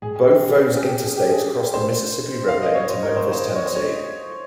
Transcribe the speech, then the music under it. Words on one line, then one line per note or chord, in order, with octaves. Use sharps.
Both those interstates cross the Mississippi River into Memphis, Tennessee.
G#4
G#4
G4
G#4
G4
G#4
G4
G#4
C5
F5
D#5
C#5
C5
A#4
C5
C5
D#5
C#5
C5
C#5